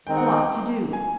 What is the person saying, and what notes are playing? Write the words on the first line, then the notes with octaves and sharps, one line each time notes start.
"What to do?"
D#3 G#3 C4 D#4 G5
F#5
G5
G#5